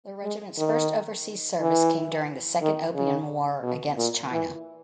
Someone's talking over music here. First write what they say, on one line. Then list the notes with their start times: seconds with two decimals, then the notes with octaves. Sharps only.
The regiment's first overseas service came during the Second Opium War against China.
0.24 G#3
0.58 D#3
1.60 E3
2.61 D#3
2.95 C#3
3.63 B2
3.97 A#2
4.32 E3